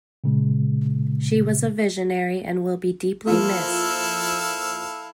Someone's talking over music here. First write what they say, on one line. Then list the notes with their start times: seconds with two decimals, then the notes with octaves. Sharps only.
She was a visionary and will be deeply missed.
0.24 A#2 C#3 G#3
3.27 F3 A#3 E4 F4 A4 F5